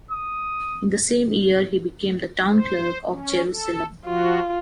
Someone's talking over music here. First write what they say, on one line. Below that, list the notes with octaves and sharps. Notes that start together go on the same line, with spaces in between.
In the same year he became the town clerk of Jerusalem.
D#6
C5
C#4
A4
F3 F4 F#4